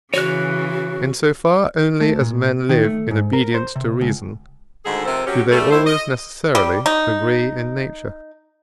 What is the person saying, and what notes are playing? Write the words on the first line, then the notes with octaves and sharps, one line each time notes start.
In so far only as men live in obedience to reason, do they always necessarily agree in nature.
C#3 E3 F#4 C#5 F#6
A3
A#2
D#3
A3
G#2
A#4
C5
C3
C#2
D2 G#2 D#3 G#4 A4
G#2 C3 F3 A4 A#4 C5
F#3 C#4 G4
G3 A3
A2 C5 E5
D#5
G3
D#4